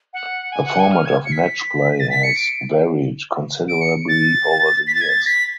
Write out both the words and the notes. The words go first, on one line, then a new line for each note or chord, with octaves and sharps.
The format of match play has varied considerably over the years.
F#5
G#5
F#5
G#5
F6
G#6
C#7
B6
A6
B6
C#7
D7
D7
C#7
A6
B6
A6
G#6
A6
B6